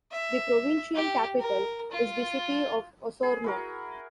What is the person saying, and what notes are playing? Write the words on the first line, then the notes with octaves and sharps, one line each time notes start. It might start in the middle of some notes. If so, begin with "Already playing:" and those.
The provincial capital is the city of Osorno.
E5
G4
A#4
F4
G#4
E4 F#4 A#4